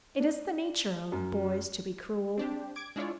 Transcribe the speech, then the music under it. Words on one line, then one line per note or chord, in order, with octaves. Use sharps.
It is the nature of boys to be cruel.
D4
F#2
C4 D4 G4
D6 G#6 D7
G#3 D4 E4 F4 C#5 D5